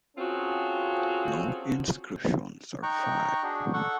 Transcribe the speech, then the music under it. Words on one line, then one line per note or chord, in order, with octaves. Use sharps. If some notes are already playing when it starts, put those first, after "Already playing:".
No inscription survives.
C4 C#4 F4 F#4 G#4 A4
D#4 G5 A#5 C#6 F#6
D4 F#4 G#4
A4 F#5 C#6